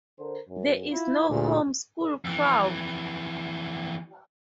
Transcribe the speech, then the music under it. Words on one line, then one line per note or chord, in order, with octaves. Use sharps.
There is no home school crowd.
D3 A#4 C5
F#2
E4 F4
D2 A#2 G4 G#4
F2 E3